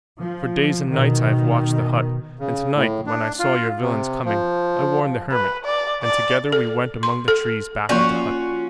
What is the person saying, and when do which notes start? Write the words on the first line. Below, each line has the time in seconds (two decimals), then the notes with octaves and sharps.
For days and nights I have watched the hut, and tonight, when I saw your villains coming, I warned the hermit, and together we went among the trees back of the hut.
0.19 F3
0.91 B2 D#3
2.39 C#3
2.75 A2
3.07 D4
3.39 F4
3.81 C3
4.25 F3
5.32 B4
5.65 D5
6.03 D5
6.52 A4
7.03 C6
7.28 A4
7.89 F3 A#3 C#4 F4 F#4 D5